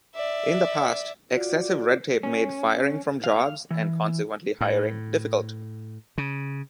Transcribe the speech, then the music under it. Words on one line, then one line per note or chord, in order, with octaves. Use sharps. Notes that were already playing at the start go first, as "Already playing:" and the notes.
In the past, excessive red tape made firing from jobs, and consequently hiring, difficult.
D5 E5
F4 F#4 D5
C#4
F5
E3
A2
C#3